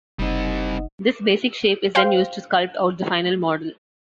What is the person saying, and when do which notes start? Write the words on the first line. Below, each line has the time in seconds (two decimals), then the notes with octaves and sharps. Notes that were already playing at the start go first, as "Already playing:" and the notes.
This basic shape is then used to sculpt out the final model.
0.19 F#1 G3 C4 D#4 D#5 F#5
1.95 C5 F5 G5